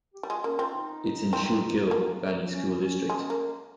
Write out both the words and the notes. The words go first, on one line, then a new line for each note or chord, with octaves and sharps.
It is in Schuylkill Valley School District.
G4
G3
G#3 F4
A#3 C#4
C4 F4
D#4
C4
A#3
C#4
C#4
G#3
A#3